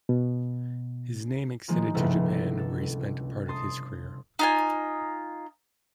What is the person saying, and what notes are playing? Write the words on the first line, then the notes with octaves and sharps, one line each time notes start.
His name extended to Japan where he spent part of his career.
B2
D#3 F3 G#3 A#3
G1 C#2 C3 A3 E4
A4
A5 C6 D#6
D#4 F4 G#5